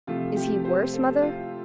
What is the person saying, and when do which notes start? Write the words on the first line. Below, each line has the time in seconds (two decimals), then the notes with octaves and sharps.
"Is he worse, mother?"
0.07 C3 F3 A3 F4
0.36 G4
0.65 C5
0.94 A4
1.22 F4